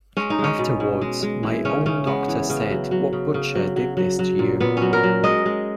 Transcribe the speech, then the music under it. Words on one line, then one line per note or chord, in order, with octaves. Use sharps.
Afterwards, my own doctor said: 'What butcher did this to you?
G#3 C#4
D#4
G#3
C#4
B2
B2
G#3
G#3
E3
C#3 C#4
C#3 C#4
G#3 B3
E3
C#3
F#3
F#3
C#3
C#3
F#3
F#3
F#3
F#3
A#2
A#2 B3
F#3 C#4
A#4
F#3
G#3 D#5
G#3